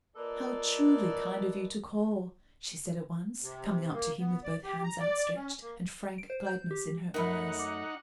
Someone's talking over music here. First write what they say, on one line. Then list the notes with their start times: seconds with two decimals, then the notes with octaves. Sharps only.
"How truly kind of you to call!" she said at once, coming up to him with both hands outstretched and frank gladness in her eyes.
0.15 A#3 F4 A4 B4 D5 D#5
3.43 C3
3.93 A#3
4.19 B3
4.44 D5
4.64 G4
4.84 A#5
5.00 D5
5.35 C#4
5.61 A#3
6.18 D7
6.30 C5
6.46 G6
6.71 G4
7.14 F#2 A3 D#4 A#4 F#5 B5
7.59 D6